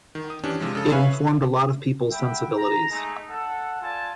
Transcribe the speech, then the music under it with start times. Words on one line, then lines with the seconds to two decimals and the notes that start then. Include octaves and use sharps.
It informed a lot of people's sensibilities.
0.15 D#3
0.30 D#6
0.44 E3 C#4 D4 G4
0.60 C3 F3 G#3
0.75 C#3 A4
0.92 B4 C#5 E5 F5 G#5
2.11 E5 F#5 G5 B5
2.57 A#5
2.90 G#3 A3 D#4
3.30 A4 F#5
3.81 F4 D5 G#5 A5